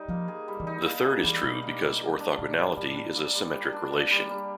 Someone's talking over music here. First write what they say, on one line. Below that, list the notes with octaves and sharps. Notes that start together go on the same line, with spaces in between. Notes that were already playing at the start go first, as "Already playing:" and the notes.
The third is true because orthogonality is a symmetric relation.
Already playing: G3 D#4
F3 A#3
G#4
G3
E3
D#4
A#3
G#4
E3 G3
B2 D#4
A#3
G3
G3
D4
A#2 A#3
G3
A2 G3
D4
A#3
G3
G3
D4
A#3
G3
G3